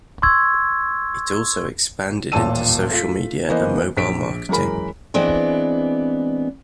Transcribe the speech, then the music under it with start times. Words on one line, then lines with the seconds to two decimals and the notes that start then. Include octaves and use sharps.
It also expanded into social media and mobile marketing.
0.22 C6 C#6 E6 G#6
2.32 D#1 A1 A#2 A5 E6 D#7
2.91 A3 F4 B6
3.49 E3 A#3 B3 C5 D#5
3.97 A#1 B6 D7
4.49 F#2 E3 G#3 A#4 B5
5.14 E3 G#3 B3 C4 D4